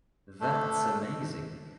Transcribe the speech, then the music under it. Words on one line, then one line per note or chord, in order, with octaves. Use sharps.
That’s amazing.
A3 D4 A4